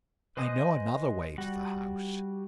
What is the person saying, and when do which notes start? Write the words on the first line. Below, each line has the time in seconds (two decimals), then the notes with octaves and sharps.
I know another way to the house.
0.37 B4 C5 D#5 G#5 D#6
1.38 G3 F#4